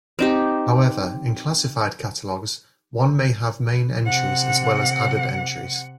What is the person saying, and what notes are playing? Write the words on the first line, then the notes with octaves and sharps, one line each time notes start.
However, in classified catalogs one may have main entries as well as added entries.
C4 D#4 G4
C3 F#5